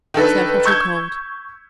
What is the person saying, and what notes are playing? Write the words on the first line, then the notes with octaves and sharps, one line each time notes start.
Serve hot or cold.
D#3 D4 A4 B4
C#6 E6 G6 G#6